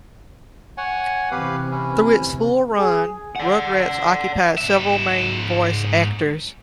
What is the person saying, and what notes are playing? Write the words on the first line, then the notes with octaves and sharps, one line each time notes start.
Through its full run, "Rugrats" occupied several main voice actors.
C#5 F#5 G#5
C3 E3 G4 B4 F5
C#4 E4
G#4
D5 F#5
G#2 E5